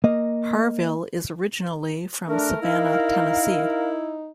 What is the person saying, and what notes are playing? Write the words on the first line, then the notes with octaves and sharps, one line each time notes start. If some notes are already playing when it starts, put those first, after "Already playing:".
Harville is originally from Savannah, Tennessee.
A#3 D#5
A3 D4 A#4
D#4 E4 F5